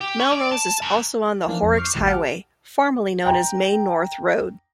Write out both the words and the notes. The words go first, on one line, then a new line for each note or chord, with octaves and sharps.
Melrose is also on the Horrocks Highway, formerly known as Main North Road.
G4
C#4
D5
A5
F#2
E3 F3 A#3 D4 D#4
G#1 F2 F3 A#6
C#6 D6 F6 G6 C7
A1 D2 A2 D#3 G3
G4 F#5 G5 A5 D6 F6
G5 A#5